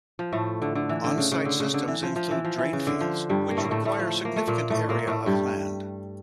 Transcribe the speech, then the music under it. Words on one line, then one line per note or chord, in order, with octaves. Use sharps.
On-site systems include drain fields, which require significant area of land.
F3
A2 A3
D3
D3
E3
D3
C#3
C#3
D3
C#3
D3
E3
F3
F3
E3
F3
E3
C#3
D3
F3
G2 G3
A#3
A2 A3
A#3
A2 A3
A2 A3
F3
A#3
A3
A#2 A#3
A2 A3
A#2 A#3
A2 A3
G2 G3